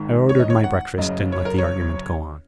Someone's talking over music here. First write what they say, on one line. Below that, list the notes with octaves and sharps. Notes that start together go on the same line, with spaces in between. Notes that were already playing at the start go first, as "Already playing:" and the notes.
I ordered my breakfast and let the argument go on.
Already playing: G#1 G#2 D#3
C#5
D#5
C#5
F#5
F#1 F#2 C#3 D#5
C#5
A#4
C#5